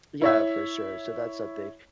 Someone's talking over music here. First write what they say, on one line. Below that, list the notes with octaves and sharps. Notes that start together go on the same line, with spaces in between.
yeah, for sure, so that's something
E4 C#5 E5